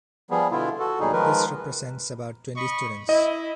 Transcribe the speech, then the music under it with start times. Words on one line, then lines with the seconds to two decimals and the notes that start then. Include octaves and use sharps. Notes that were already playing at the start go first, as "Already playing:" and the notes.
This represents about twenty students.
0.30 F3 G3 B3 G#4
0.51 B2 D3 B3 E4 F4
0.79 F#4 A4
1.00 D#2 B2 F#3 G3 D#4 G#4
1.12 D#3 F3 G#3 A#4 B4
2.57 D#5 B5 C#6
3.09 E4 D#5